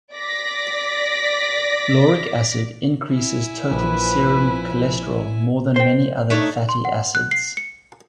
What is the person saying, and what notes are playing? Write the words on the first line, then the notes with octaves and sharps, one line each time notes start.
Lauric acid increases total serum cholesterol more than many other fatty acids.
D5 D6 A#6 B6
E4 G#5
A#1 F3 B4
C5 G5
A3 D4 D#4 C#5
C6
F#5
F#6
C7
C#7